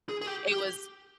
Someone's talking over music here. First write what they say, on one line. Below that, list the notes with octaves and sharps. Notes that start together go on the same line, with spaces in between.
it was
G#4
G#4
G4
G4